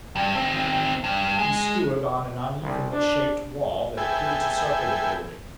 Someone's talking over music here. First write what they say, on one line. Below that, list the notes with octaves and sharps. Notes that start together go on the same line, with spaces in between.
He stood on an unevenly shaped wall that appeared to circle the building.
G2
D#3 C4
G2
G#3
C2
D4
G#4 A4 B4 E5 G5 G#5